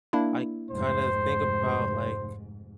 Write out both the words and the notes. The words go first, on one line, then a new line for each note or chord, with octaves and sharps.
I kind of think about, like,
A#3 D4 E4
F1 G#2 C5